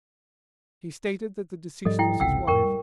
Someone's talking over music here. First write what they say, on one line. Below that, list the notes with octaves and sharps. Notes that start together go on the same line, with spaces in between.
He stated that the deceased was his wife.
G#2 F3 G3 A4 D#5
E4 G5
G#1 C#2 C3 F#5 G5 E6
F2 A2 A#4 G5 C#6
G3